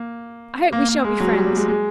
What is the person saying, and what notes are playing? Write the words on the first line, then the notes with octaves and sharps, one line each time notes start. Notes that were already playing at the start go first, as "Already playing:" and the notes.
I hope we shall be friends.
Already playing: A#3
A#3
A#3
G#3
F#3
G3
G3
G#3
G#3